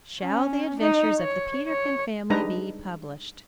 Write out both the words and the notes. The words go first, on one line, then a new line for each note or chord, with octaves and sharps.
Shall the adventures of the Peterkin family be published?
C#4
D#4
C#5
C#5
G3 G#3 D4 D#4 B4 A#5